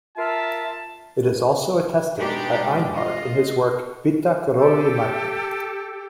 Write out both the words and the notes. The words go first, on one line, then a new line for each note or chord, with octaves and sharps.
It is also attested by Einhard in his work, Vita Karoli Magni.
F4 A#4 E5 A5
B2 G#3 D4 D#4 G4
F4 D#5
G4 A4